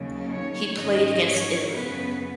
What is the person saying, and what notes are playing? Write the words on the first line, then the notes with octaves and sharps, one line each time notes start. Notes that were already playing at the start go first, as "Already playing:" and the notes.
He played against Italy.
Already playing: D#2 C#3 F#3
C#5
G#2 D#3 F#3 C#4 D#5
C#5
F#2 C#3 B3 B4